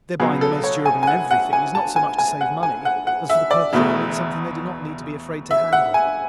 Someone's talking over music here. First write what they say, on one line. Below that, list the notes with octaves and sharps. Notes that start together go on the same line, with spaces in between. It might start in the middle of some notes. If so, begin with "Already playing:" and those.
Their buying the most durable in everything is not so much to save money as for the purpose of having something they do not need to be afraid to handle.
C#2 B2 F#3 B3 G#4
A4
C#5
G#5
G#5
F#5
F#5
G#5
A5
G#5
G#5
F#5
G#5
F#5
F#5
E5
D5
E1 E2 B2 A3 E5
E5
F#5
G#5